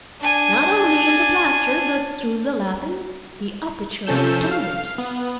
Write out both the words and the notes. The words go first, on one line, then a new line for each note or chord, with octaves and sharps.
Not only in the plaster, but through the lathing, the aperture extended.
D4 G#5
C3 F3 C#4 A4 G6 E7
F5
B3